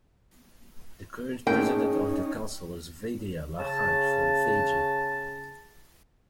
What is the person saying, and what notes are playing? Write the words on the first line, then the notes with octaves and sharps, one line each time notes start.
The current President of the Council is Vidhya Lakhan from Fiji.
A2 A#3 C#4 D#4 G#4 G5
C#3 A5